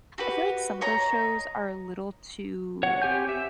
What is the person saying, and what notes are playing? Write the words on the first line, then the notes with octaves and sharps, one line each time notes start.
I feel like some of those shows are a little too
F#4 G4 B4
C#5 D#5 A#5
C#5 F#5
C4 G4 G#5 G6
E5